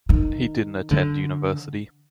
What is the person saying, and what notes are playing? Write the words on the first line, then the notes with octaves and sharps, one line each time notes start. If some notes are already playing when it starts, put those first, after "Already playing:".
He didn't attend university.
D#3
D3